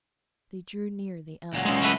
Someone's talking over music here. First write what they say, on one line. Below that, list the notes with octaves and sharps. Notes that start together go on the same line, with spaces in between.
They drew near the elm.
C#2 A#2 F#3
C#3 G#3
F#3 A3 B4